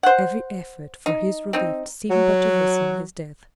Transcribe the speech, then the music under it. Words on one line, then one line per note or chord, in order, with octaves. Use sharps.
Every effort for his relief seemed but to hasten his death.
C5 F#5
D#4
C4 D#4
F#3